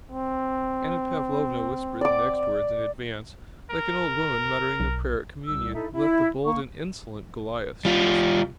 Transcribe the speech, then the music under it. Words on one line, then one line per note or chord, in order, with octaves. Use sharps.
Anna Pavlovna whispered the next words in advance, like an old woman muttering the prayer at Communion: "Let the bold and insolent Goliath..." she whispered.
C4
D5 D6
A#4
B1
C2 E6
D#4 E4 A4 E5
E4
A#3 C#6
G3 F4